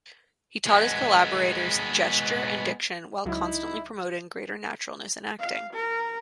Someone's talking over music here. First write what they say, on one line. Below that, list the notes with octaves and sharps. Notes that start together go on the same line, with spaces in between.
He taught his collaborators gesture and diction while constantly promoting greater naturalness in acting.
G#3 B3
C#2 F#3 D#4 E4
F5
A#4